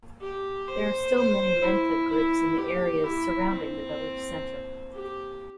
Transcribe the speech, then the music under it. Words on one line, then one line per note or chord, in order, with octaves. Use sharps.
There are still many Lenca groups in the areas surrounding the village center.
G4
C5
C5
E4
E4
G4
E4
C4
G4